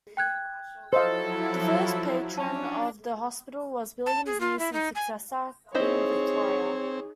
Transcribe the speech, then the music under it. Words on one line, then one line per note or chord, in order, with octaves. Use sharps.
The first patron of the hospital was William's niece and successor, Queen Victoria.
G5 F#6 G#6
F3 F#3 E4 A4 C5 D#5 F5
C#4 D4 A5
A5
G#4
F4
E4
D#4
G#5
C4 D#4 E4 G#4 C5 C#5 D#5